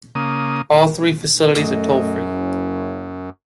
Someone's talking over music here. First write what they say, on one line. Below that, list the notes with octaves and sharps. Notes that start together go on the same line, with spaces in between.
All three facilities are toll-free.
C#3 A#3 D#6
F#2 A3 D#5
F#1 C#4